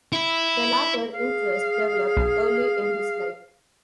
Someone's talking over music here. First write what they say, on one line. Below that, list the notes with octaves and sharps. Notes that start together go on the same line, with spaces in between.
The latter interest developed early in his life.
E4
G#4 F5
B1